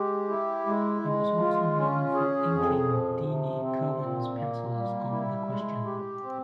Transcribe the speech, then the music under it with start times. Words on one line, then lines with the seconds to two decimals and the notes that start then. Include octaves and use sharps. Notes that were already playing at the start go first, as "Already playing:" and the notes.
He was also known for inking Denys Cowan's pencils on "The Question".
Already playing: G#3 G4
0.29 E4
0.66 G#3
1.02 G#3
1.40 F4
1.77 C#4
2.14 G#4
2.51 F2
2.88 F3
3.26 C3
3.63 C4
4.00 A#2
4.37 A#3
4.74 G3
5.12 E4
5.48 G#3
5.85 G4
6.22 C4